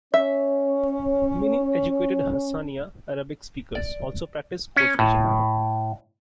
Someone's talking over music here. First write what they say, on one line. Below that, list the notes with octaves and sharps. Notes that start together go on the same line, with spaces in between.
Many educated Hassaniya Arabic speakers also practice code-switching.
C#4 C#5 E5
D5
C#4
A2